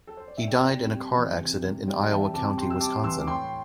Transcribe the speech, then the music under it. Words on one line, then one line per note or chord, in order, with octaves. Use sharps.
He died in a car accident in Iowa County, Wisconsin.
A4
C5
D5
E5
C3 D5 G5
C3
G3
E3
C3
C3
G3 D5 G5
E3 E5 A5
C3 A5 D6
C3 G5 C6
E6
G3 A5 D6
E3 C6 E6
D6
A2 G5 C6